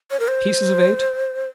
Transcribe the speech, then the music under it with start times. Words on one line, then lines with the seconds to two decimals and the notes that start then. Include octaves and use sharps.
Pieces of eight!
0.11 C#5
0.20 A#4
0.28 C5